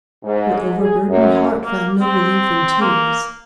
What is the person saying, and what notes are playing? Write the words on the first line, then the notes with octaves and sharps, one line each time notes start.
Her overburdened heart found no relief in tears.
G#2
G#4
F#2
A#3
C4
A#3